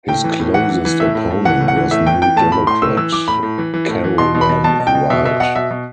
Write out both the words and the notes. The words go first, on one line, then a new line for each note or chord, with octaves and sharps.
His closest opponent was New Democrat Carolann Wright.
A2 G5
E3
A2
E3 F#5
E3
E3
A2 E5
A2
A2
E3 F#5
A2
F#5
E3
A2 E5
E3 G5
E3 G5
A2 A5
A2 B5
A2 C6
A2 E6
E3 E6
E3 D6
A2 B5
A2
E3
E3
A2
E3
B2 C6
B2
B5
B2
B2 A5
B2
G5
B2
B2 E5
B2 E5
B2 F#5
B2 E5
B2